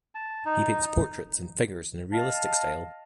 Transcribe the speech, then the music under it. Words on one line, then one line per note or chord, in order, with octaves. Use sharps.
He paints portraits and figures in a realistic style.
A5
D#4
D#5 F5 A5